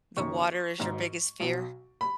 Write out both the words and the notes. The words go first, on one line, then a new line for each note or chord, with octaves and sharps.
the water is your biggest fear?
F#1 F#2 D#3 C#6
G#1 G#2 F#3
B1 B2 F#3
B5